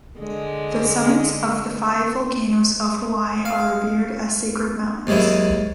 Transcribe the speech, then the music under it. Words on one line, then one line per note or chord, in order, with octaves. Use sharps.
The summits of the five volcanoes of Hawaii are revered as sacred mountains.
D3 G#3
F5
D#2 G#2 D#3 F#3 E4